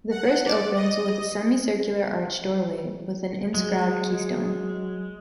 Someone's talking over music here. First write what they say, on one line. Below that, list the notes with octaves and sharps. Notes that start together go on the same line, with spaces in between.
The first opens with a semicircular arch doorway with an inscribed keystone.
F#5
D5
D#5
F#3 G#3